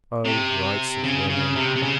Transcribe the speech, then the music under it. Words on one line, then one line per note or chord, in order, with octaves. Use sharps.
Oh, rights of women!
C3
C#3
C#3
C3
C3
C#3